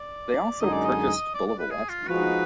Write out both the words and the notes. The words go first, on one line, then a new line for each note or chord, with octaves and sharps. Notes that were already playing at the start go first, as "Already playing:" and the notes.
They also purchased the Bulova Watch Company.
Already playing: D5
F#2 D3 G#3 D#4 G#4 D#5
D5
D#5
D5
D5
B4
G#4
F4
F3 G#3 D#4 F#4 B4